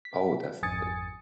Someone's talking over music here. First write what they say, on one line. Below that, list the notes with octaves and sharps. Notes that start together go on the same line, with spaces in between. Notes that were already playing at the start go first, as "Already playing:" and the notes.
Oh, definitely.
B6
G#1 F2 G#5 D#6 A6 C#7